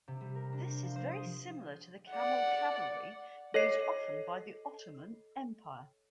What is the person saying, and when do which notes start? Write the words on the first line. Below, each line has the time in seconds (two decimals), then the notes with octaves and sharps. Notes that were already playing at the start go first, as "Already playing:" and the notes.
This is very similar to the camel cavalry used often by the Ottoman Empire.
0.08 C3
0.21 G3
0.35 A#4
0.53 D4
0.67 C5
0.82 F3
0.96 C5
1.11 D#6
2.11 D5 F#5
3.54 A4 C#5 D#5 C7